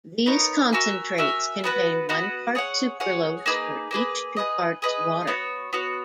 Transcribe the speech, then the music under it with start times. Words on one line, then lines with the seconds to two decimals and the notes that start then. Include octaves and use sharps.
These concentrates contain one part sucralose for each two parts water.
0.26 B3 D#4 A#4 C#5
0.73 F#4 A#4 E5 G#5
1.18 F#4 A#4 E5 G#5
1.64 B3 F#4 B4 F#5
2.09 B3 F#4 B4 F#5
2.55 G#4 C#5 F#5
3.00 G#4 C#5 F#5
3.46 A#3 D#4 G#4 B4
3.91 A#3 D#4 G#4 B4
4.36 G#4 B4 D#5
4.82 G#4 B4 D#5
5.27 B3 F#4 C#5
5.73 B3 F#4 C#5